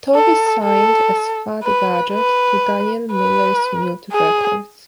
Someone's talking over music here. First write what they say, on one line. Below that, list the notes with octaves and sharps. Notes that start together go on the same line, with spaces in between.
Tovey signed as Fad Gadget to Daniel Miller's Mute Records.
A4
A4
B4
B4
B4
G#4